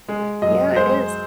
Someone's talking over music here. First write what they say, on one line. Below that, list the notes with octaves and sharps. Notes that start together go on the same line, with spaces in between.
Yeah, it is.
G#3
F#2 D#5
G#3 C5